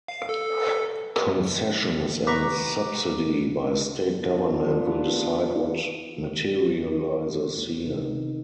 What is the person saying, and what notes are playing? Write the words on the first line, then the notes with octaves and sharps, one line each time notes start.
Concessions and subsidy by state government will decide what materialises here.
F5
A4
B4 A#5 C#6 D6
A#3 B3 D4 F4
F1 A#3
C3 D#3